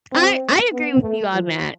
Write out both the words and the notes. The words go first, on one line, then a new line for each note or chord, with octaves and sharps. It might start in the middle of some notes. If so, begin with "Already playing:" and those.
I I agree with you on that,
C4
B3
A3
F3